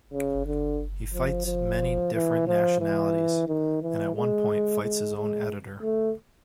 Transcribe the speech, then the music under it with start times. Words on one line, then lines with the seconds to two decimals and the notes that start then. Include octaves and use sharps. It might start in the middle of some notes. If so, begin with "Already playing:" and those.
He fights many different nationalities, and at one point fights his own editor.
0.13 C#3
0.46 D3
1.14 F3
1.46 F3
2.14 E3
2.47 F3
2.80 E3
3.48 D#3
3.82 E3
4.15 G#3
4.82 G#3
5.16 G#3
5.82 A3